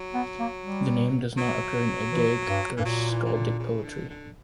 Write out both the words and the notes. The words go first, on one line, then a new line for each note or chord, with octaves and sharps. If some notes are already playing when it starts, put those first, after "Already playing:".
The name does not occur in Eddaic or skaldic poetry.
Already playing: F#3
B3
A#3
G3
F#3
E3
G2
G2 E3
A#2 F#3
E3
E3
D3
C#3
D3
D3